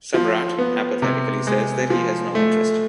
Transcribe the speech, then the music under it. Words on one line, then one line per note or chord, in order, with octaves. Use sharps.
Samrat apathetically says that he has no interest.
F3
B3
C3
G#3
F3
A3